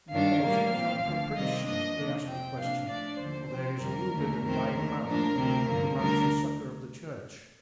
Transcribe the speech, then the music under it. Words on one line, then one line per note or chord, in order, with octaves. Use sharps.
Nor was it from caprice we asked the question, for there is a wounded and dying man who demands the succor of the church.
G2 D#3 G3 D4 F5
A2 G3 A#3
A#2 F3 C4
D2 D3 F3
C3 D#3 G3 C4 D#5
G2 F3 A#3 D4 D#5
C3 D#3 A#3 D4
F2 C3 F3 C4 G5
C3 F3 A#3 D4 F5
A2 A3 D4 D5
D#2 D3 F3 C5
C3 F3 C4
F2 D3 G3 A#4
D#2 D3 A3
F2 D#3 A3 C4 A#4
D#2 D#3 A3 A#4
A2 F3 A#3 D4 A#4
D2 C3 F3 C4
G2 D3 F3 A#3
D2 D3 G3 D4 A#4